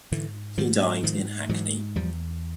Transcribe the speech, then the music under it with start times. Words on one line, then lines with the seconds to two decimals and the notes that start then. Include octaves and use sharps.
He died in Hackney.
0.11 G#2 D3 E3
0.58 G#2 D#3 F3
1.03 G#2 D#3 F3
1.49 G#2 E3 F#3
1.96 E2 F3 G3